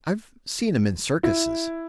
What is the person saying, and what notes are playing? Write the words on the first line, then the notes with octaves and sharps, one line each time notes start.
"I've seen 'em--in circuses."
E4